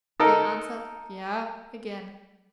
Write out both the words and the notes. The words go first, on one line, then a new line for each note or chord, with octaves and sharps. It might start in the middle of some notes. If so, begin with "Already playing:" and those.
They answered "yea" again.
D#4 A4 A#4